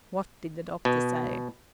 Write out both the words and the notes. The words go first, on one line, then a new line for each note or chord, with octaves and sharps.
"What did the doctor say?"
B2